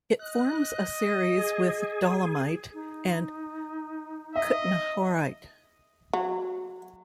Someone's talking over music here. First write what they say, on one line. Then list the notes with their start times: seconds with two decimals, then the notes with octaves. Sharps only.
It forms a series with dolomite and kutnohorite.
0.19 D#5 F#6
1.37 G#4
2.74 D#4
4.36 D#5 E5
6.13 F#3